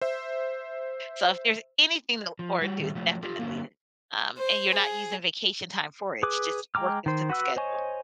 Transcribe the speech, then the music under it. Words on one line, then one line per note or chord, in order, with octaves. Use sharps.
So, if there's anything to look forward to, it's definitely, um and you're not using vacation time for it, it's just worked into the schedule.
C5 E5
F3
G3 F#4
D#3 G3 A3
F3 F#3 A3
F4 G4 A4
D3 F#3 A#3
C5
G#4
G#4 B4 D6
G#3 G5 A#5 D6 F6
D#3 C5
F#4 B4 F#5 E6
C5 C#5 D#5 G#5 C#6